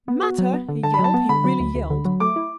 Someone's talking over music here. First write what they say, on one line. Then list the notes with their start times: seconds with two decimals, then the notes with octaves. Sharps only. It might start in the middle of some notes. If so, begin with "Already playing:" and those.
"Matter!" he yelled; he really yelled.
0.08 B3
0.23 F#4
0.38 F#3
0.53 B3
0.69 D3
0.83 D3 A5
0.94 B5
0.99 F#3
1.04 A5
1.14 B3
1.29 D3 B5
1.44 F#3
1.60 D2
1.75 D2
1.90 D3
2.05 F#3
2.20 A3 D6
2.36 E4